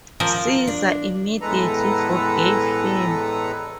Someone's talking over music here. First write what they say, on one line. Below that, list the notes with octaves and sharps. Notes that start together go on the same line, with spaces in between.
Caesar immediately forgave him.
F3 A#4
D4 D5
E2 A2 G#3 A4 B4 A#5